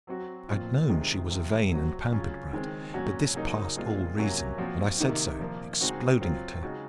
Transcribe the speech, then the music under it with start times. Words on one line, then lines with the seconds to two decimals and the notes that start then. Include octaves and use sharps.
I'd known she was a vain and pampered brat, but this passed all reason, and I said so, exploding at her.
0.07 F#3 C4 F#4
0.49 A#2 F3 C4 F4
0.89 C3 D#3 G#3 C4 D#4
1.30 C3 F3 C4
1.71 F#3 C4 F#4
2.12 C#3 F#3 C#4 F4
2.53 D#3 G#3 C4
2.94 A#2 F#3 C#4 F#4
3.35 C#3 F#3 A#3 D#4 F#4
3.76 A#2 G#3 C4 F4
4.17 C3 F#3 A#3 C#4 F#4
4.57 A#2 F3 C4 F#4
4.98 C3 D#3 A#3 D#4
5.39 A#2 F3 A#3
5.81 C#3 G#3 C4 D#4 F#4
6.21 F#3 C4 F4
6.62 C#3 G#3 D#4 F#4